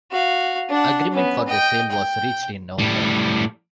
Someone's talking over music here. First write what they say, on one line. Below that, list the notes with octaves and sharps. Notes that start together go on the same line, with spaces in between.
Agreement for the sale was reached in November.
F#4 F5
D4 F#5
B3 C#4
D#5 G5
G5
A2 G3